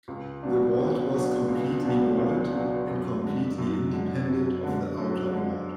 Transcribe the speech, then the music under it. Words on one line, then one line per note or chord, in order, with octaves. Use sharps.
The ward was completely walled and completely independent of the outer ward.
C#2
B2 F#3 B3 D4
C#2
B2 F#3 B3 D4
C#2
B2 F#3 B3 D4
C#2
B2 F#3 B3 D4
F#2
D3 G#3
F#2
D3 G#3
F#2
D3 G#3
F#2
D3 G#3